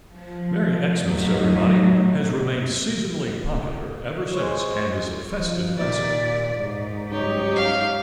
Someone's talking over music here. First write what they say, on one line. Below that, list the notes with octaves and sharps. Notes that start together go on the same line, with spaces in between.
"Merry Xmas Everybody" has remained seasonally popular ever since and is a festive classic.
F3
A2 F#3 D#4
G#3 C5 C#5
F3
D#2 A#2 D5
G#2
C#2 F#2 G3 D#4 G4 C#5
F5